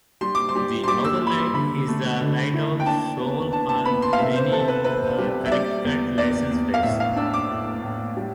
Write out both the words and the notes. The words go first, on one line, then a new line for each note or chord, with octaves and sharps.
The Outer Light is the lighthouse shown on many Connecticut license plates.
G3 C6
D6
C6
G3
C6
G3 D6
E6
G3
B5
C6
D3 B5
A3
D3
E4
G5
D4 A5
B3
D4 A5
A5
B3 B5
C6
F5
C3 E5
C5
C3 A4
B4
C4 B4
G3
E5
G3 D5
E2
E2 D5
E2
F5
A2 E5
F5
D4 E6
D6
A2
A2
G3